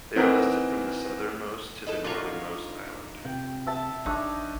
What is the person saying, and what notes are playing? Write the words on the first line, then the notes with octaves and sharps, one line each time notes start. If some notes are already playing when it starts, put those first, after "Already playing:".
They are listed from the southernmost to the northernmost island.
E3 C4 D#4 F#4 A#4
D#4 E4 A4
D4 D#4 F4 F#4 C#5
C3 G5
E5 A5
A1 D4 D#4 C#5 E5